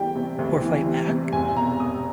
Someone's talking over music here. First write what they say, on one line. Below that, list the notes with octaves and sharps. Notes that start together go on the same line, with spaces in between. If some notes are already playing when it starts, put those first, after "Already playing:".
Or fight back?
Already playing: D2 E3 G3 G5
C3
D2
E3
G3
C3
F1 G#5
B2 A#5
F1 D#6